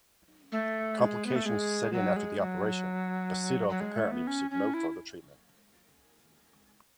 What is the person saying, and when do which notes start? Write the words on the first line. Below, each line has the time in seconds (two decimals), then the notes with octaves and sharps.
Complications set in after the operation, but Sedov apparently received no further treatment.
0.52 A3
0.99 G#3
1.26 B3
1.36 A3
1.46 G#3
1.93 F#3
2.16 G#3
2.39 F#3
3.69 F#3
3.80 G#3
3.96 A3
4.11 B3
4.27 C#4
4.51 C#4
4.74 E4